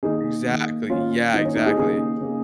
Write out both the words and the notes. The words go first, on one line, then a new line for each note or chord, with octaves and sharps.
Exactly, yeah, exactly.
D#3 A#3 D#4 G#4
D#3 A#3
D#3 A#3 C#4 F4
D#3 A#3 D#4
C#4
D#4
D#4 G#4
C#3 A#3 D#4 G#4
C#3 A#3